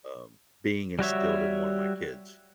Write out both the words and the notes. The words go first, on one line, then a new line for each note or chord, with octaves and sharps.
um, being instilled in one of my kids.
G3 F#4 C#5 E5